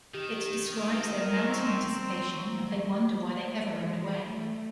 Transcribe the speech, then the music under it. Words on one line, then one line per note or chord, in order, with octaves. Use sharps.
It describes their mounting anticipation and they wonder why they ever roamed away.
D#3 G4
A#4
C4 A#5 C#6 E6
G#3
A3